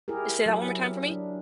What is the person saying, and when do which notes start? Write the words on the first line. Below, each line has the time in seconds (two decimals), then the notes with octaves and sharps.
Say that one more time for me.
0.08 E4 G4 G#4 A#4
0.46 F#3 E4
1.11 D4